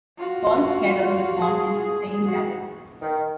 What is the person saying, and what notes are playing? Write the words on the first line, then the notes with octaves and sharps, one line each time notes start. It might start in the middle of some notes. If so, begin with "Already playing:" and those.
Paul Scherrer was born in St.Gallen.
F4 F#4
G#4
F#4
D#3